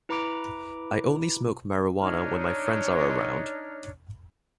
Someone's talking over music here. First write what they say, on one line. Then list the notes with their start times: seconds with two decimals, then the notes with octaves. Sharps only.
I only smoke marijuana when my friends are around.
0.09 E4 B4 A#5 B5 D6 D7
2.01 D4 D#4 C#5 F6